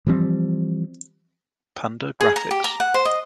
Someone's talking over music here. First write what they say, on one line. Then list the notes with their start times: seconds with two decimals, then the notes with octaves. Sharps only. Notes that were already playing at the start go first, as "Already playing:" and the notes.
Panda Graphics.
0.07 E3 F3 G3 C4
2.21 G#4
2.36 A#5
2.51 G4
2.64 A#5
2.80 F#5
2.94 C5
3.05 D#5